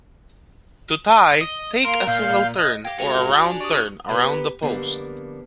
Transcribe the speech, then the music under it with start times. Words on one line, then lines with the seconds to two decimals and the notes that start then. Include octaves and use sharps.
To tie, take a single turn or a round turn around the post.
1.41 D#5
1.85 A#3 A#4 C6
2.07 A#2 F5 G6
2.58 D#5
2.85 G4 F5 G5 G#6 A#6
2.98 F3 G#3 F#4 A4 C#7 F7
3.32 D4 F#4 G#5
3.60 G4 D5 C#6 D#6
4.09 A#3 B3 G4 A4 B4
4.62 F2 D3 G3 A#3 B3 D4